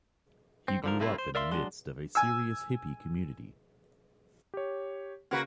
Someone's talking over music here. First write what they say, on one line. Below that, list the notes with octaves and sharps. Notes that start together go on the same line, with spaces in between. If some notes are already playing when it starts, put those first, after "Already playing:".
He grew up in the midst of a serious hippie community.
C4
D3 F3 A#4
G2 C3 A3 A#3 E4 F4
C5
A#4 D5 E5 F5 C6
F#3 G#3 D4 C6
G#5 E6
G4 C#5
C#3 A#3 F#4 B4